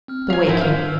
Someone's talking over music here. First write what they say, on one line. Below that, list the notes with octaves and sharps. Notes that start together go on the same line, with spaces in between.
The Waking.
C4 F6
F5 G#5
G#2 F#3 G#3 E4 G6
F5
B4 E6